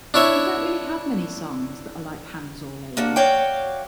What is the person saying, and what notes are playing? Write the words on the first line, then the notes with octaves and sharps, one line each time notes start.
We don't really have many songs that are like "Hands All Over".
D4 E4 C#5 E5
A#3 D4 F#4
F#4 C#5 D5 F5 G5